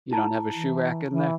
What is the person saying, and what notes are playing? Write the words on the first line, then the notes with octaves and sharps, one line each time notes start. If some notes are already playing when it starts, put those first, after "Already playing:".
You don't have a shoe rack in there?
E4 A5 A#5
E3
E3